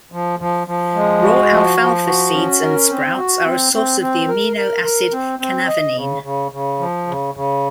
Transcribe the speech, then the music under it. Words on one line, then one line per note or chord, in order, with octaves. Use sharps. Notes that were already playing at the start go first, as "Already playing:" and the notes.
Raw alfalfa seeds and sprouts are a source of the amino acid canavanine.
F3
F3
F3
G#3
F#4
F3
F3
F#4
C#4
A#4
C4
F#4
C4
C4
C4
A#4
A#4
A#4
C4
C4
D#5
C#3
C#3
C#3
F3
C#3
C#3